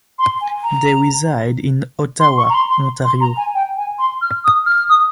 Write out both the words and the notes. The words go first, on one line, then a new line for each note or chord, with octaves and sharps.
They reside in Ottawa, Ontario.
C6
G#5
A#5
C6
C#6
A#5
C6
C6
C6
A#5
G#5
G5
G#5
C6
F6
D#6
F6
D#6